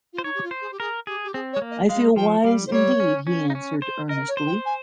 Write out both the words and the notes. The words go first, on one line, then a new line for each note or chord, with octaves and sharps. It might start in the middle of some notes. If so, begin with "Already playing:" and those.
"I feel wise, indeed," he answered, earnestly.
F4
C5
D#4 C#5
G4
F4
C5
G#4
G4
G#4 A#4
G4 G#4
G4
C4 G#4
C#5
G#3
A#3
D#5
G#3 F5
F3 G5
G3 F5
C5
G3 C#5
C#4
C#4
D#4
C#4
C5
A#4 D#5
C#5
C5
G5
G#5